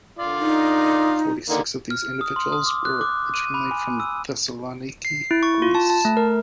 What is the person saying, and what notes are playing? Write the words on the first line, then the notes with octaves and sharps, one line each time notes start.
Forty-six of these individuals were originally from Thessaloniki, Greece.
D3 F4 D5
D#4
D3 D#3 A#3
F6
D#6
C6
D#6
D6
F#6
D6
D#7
B5
G#5
E6
C7
E4
C#6
F4
A5
A5
A3
A#4